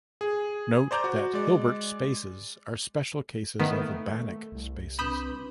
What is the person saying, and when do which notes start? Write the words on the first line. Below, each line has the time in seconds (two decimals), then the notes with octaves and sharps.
Note that Hilbert spaces are special cases of Banach spaces.
0.21 G#4
0.91 C5 D5 A#5 D6 G6
1.04 F#4
1.33 G#3 D5
3.60 D#3 A3 B3
4.52 C2
4.99 C4 D4 B4 B5 D#6 G6